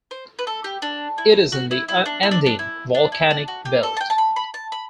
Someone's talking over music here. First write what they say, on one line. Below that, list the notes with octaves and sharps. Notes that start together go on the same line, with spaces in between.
It is in the Andean Volcanic Belt.
C5
B4
A4
G4
D4
E4
F#4
E4
E4
D4
E4
D4
D4
E4
D4
E4
D4
F#4
G4
A4
A5
G5
A5
B5
B5
A5
B5